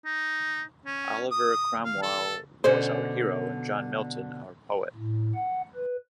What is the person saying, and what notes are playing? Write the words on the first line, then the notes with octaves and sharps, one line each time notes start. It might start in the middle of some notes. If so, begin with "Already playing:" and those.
Oliver Cromwell was our hero and John Milton our poet.
D#4
C#4
D#6
F5
A4
B2 D3 C#4 C5
A2
F#5
B4